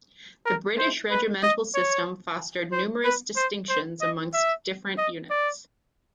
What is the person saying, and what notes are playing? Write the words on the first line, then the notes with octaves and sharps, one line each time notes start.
The British regimental system fostered numerous distinctions amongst different units.
A#4
C5
B4
D#5
C#5
C5
B4
C5
C5
D#5
E5
D#5
D5